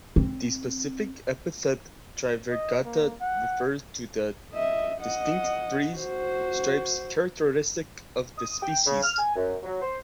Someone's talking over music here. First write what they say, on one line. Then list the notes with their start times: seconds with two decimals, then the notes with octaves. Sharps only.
The specific epithet "trivirgata" refers to the distinct three stripes characteristic of the species.
0.16 C4
2.50 D#5
2.85 A#3
3.21 F#5
4.53 D#5 E5
5.01 D#5 F#5
5.98 F#4 C5
8.38 D#6
8.62 G5
8.86 C#3
9.03 F6
9.18 G#5
9.36 F#2
9.63 F#3
9.82 C5